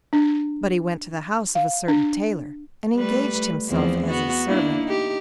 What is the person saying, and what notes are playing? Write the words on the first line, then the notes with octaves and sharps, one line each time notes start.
But he went to the house of a certain tailor, and engaged himself as his servant.
D4
F5
D4
G3 A3 B4
E2 F3 C4
B3 F#4
A#3 D4 E4
D#4 G4